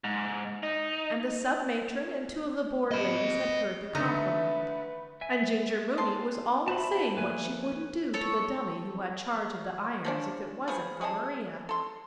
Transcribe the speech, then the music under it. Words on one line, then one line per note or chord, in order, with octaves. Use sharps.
And the sub-matron and two of the Board ladies had heard the compliment. And Ginger Mooney was always saying what she wouldn't do to the dummy who had charge of the irons if it wasn't for Maria.
G#2
D#4
D#5 B5
D3 A3 D#4 B4 E5
E5 G#5
C4 A5 C6
G3 F#4 C5 E5 A5 B5
F3 A3 A#3 B4 G#5
A4 C#5
F3 C#4 D4
F3 B3 G#4
C#4 G#4 D#5 A5
A4 C6